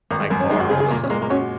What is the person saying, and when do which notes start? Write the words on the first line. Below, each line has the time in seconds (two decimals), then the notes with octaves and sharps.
my car all of a sudden s
0.11 G#1 A#3
0.21 G#3
0.30 F#2 A#3
0.40 C#4
0.50 G#3 D#4
0.60 F#4
0.70 C#3 G#4
0.80 G#4
0.90 A#2 A#3
1.03 C#4
1.10 G#3 A#3
1.22 A#3
1.30 C#4 F#4